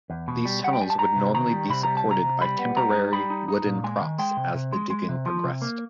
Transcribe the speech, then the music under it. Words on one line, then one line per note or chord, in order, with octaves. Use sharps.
These tunnels would normally be supported by temporary wooden props as the digging progressed.
E2
B2
G3
G3 F#5
G5
G3 G#5
A5
G3 A#5
C3
D#3 A#5
G3
C3 B5
G3 A#5
A5
C3
A#5
C3
G3 B5
B3
G3 A#5
D#4
G3 B5
D#4
D#4
A#2
G#3 G#5
D#3
G#3 G5
C3
C3
G#3
G#3
C3
F3
C3
A#3